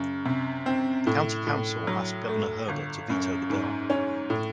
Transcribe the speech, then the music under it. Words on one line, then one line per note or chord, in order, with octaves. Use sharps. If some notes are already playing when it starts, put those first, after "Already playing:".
The County Council asked Governor Herbert to veto the bill.
Already playing: F#2 C#3
C3
C4
A2
A2
F#3
A3
G1
F#2
G#2
C#4
A2